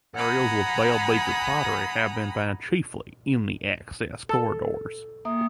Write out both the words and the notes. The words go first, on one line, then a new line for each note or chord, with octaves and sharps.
Burials with bell beaker pottery have been found chiefly in the access corridors.
F#5 G#5 A#5 B5 D#6
A4
A#3 E5 D#6